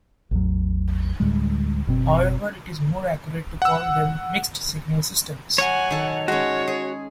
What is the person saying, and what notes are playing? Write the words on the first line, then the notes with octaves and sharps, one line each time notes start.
However, it is more accurate to call them mixed-signal systems.
A1 E2 F#3
D2 A2 G3 G#3
F#1 B2 C4
F#5 E6
F#3 C#5 F#5 G#5
D#3 A4
G#3 C#4 F#4 C#5
G#4